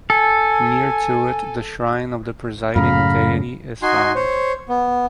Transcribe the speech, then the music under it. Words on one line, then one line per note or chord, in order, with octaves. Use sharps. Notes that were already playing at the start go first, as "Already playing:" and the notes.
Near to it the shrine of the presiding deity is found.
A4 G#5
F#2 A2 C#3 F5 A#5 B5
D#4 F#4 G#5 C6
C5 C#5
B3